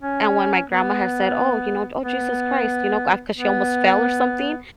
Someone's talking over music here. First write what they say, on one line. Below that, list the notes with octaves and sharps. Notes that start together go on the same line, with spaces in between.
and when my grandma had said, "Oh, you know, d oh, Jesus Christ," you know, ga 'cause she almost fell or something,
C#4
B3
B3
B3